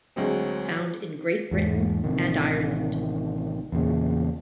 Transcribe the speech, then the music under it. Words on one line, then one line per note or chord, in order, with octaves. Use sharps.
Found in Great Britain and Ireland.
D2 F#3 G#3 C4
E2 G#2
A1 C3 D#3
E2 A#2 C#3